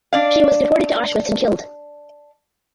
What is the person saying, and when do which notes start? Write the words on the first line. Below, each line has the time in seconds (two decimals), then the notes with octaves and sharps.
She was deported to Auschwitz and killed.
0.13 D4 D5 F5